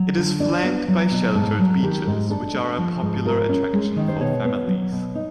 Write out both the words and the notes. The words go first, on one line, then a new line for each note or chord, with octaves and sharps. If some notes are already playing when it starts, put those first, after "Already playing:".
It is flanked by sheltered beaches which are a popular attraction for families.
Already playing: F#3
D3
D4 D5
B3
F#3
B2
G#2 A4
F#3
D#3 G4
G#2
D4 A4
A3
F3
G#2
F4 A#4
C#4
G#3
D#3
C5
B2 C#5
B3
F#3
B2
D#4